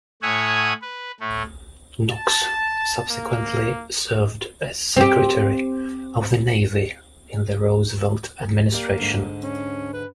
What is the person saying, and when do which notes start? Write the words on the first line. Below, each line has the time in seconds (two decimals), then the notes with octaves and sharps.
Knox subsequently served as Secretary of the Navy in the Roosevelt administration.
0.22 A2 C#5 E5 F#5 G#5 D#6
0.82 B4
1.20 A2 A3
2.12 A5
3.10 A#3
4.97 C4 G4
8.72 A#3 G4 D5
8.98 G#2 D3
9.43 C#4
9.94 B4